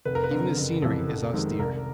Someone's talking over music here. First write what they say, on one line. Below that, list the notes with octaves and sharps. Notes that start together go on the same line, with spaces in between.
Even the scenery is austere.
F1 B4
A#4
B4
F2 D3
F#1
F2 C3 E3
F1
F2 C3 D#3 G#3
C2 A#4